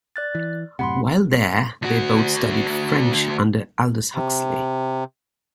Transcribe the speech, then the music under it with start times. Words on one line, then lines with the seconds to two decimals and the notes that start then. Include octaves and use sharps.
While there, they both studied French under Aldous Huxley.
0.16 D5 F#6 A6
0.35 E3
0.79 F#2 A2 C3 F#5 B5 C6
1.82 D2 F#4
4.15 C3